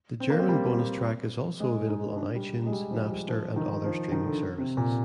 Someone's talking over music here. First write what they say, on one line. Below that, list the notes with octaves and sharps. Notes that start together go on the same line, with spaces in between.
The German bonus track is also available on iTunes, Napster, and other streaming services.
C4
A#3
C4
G3
G#3
D#4
D4
G3
G#3
G3
F3
G3
F3
D#3
F3
D#3
D3
C3
A#2